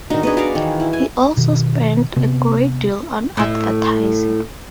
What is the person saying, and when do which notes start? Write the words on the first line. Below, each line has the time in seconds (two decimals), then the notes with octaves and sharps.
He also spent a great deal on advertising.
0.10 D#3 D4 D#4 F#4
0.23 B3 D4 G#4 B4 D#5
0.37 F#4 D5 F5
0.55 D#3 E3
0.80 E4
0.93 G#5
1.37 B2 D#3
2.16 C3 B3
3.37 A2 E4